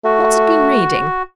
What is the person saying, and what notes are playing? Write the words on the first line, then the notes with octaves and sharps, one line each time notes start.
What's it been reading?
A3 F#4